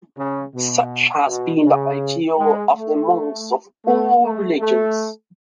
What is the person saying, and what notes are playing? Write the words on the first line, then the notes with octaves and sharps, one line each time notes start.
Such has been the ideal of the monks of all religions.
C#3
B2
B2
C#3
G#3
A3
A3
A3
A3